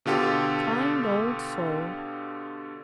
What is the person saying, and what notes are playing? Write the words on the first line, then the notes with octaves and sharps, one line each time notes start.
Kind old soul!
B2 D3 F4 G4 A4